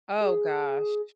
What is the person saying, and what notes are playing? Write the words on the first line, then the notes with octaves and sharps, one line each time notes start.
Oh, gosh.
G#4